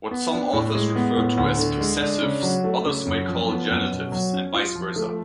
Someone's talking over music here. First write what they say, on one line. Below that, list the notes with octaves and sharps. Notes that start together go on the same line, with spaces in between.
What some authors refer to as "possessives", others may call "genitives", and vice versa.
B3
D4
A2
G#3
B3
A2
D2
D3
G#3
D4
C#3
F#3
A3
C#3
F#2
F3
B3
F#2
B2
F#3
C#4
F4
F3
A3